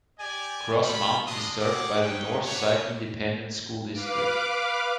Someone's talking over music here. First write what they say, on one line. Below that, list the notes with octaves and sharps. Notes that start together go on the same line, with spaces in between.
Cross Mountain is served by the Northside Independent School District.
G4 D5 G#5
C#4 F4 G4 A4 B5
G#3 D4 F4 D#5
G4 G#4 F#5 D6
C#4 D#4 B4 G5
D4 F#4 B4 C#5
B4 F5 D6